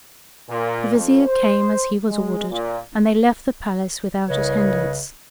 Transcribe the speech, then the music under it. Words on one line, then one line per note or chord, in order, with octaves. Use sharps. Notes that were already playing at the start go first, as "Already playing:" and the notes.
The Vizier came as he was ordered, and they left the palace without attendants.
A#2
F2
C5
G#3
A#2
C2 C#3 B4 C#5 D#5